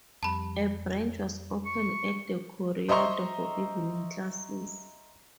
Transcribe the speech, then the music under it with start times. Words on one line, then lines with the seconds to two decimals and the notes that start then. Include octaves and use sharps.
A branch was opened at The Corridor for evening classes.
0.23 F2 G3 A5 B5
1.66 C#6
2.88 C5 D#5 E5 A#5 C6 C#6